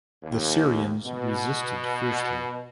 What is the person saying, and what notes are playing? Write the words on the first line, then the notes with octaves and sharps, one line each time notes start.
The Syrians resisted fiercely.
D#2
B2